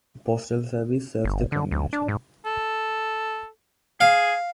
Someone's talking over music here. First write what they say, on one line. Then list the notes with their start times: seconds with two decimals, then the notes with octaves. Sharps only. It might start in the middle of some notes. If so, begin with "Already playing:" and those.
Postal Service serves the community.
1.24 G1
1.52 D3
1.71 D2
1.93 D4
2.08 G#2
2.46 A4
4.01 G#4 F5